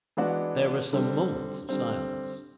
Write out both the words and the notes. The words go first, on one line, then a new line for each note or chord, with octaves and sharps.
There were some moments of silence.
E3 G#3 B3 D4 F#4
D3 G3 C4
D3 G3 C4